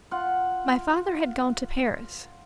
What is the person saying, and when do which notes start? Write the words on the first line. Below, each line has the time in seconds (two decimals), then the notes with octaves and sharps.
My father had gone to Paris.
0.11 F4 F#5